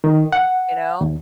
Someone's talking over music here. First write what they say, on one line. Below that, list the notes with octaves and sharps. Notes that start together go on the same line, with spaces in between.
You know?
D#3
F#5
D#2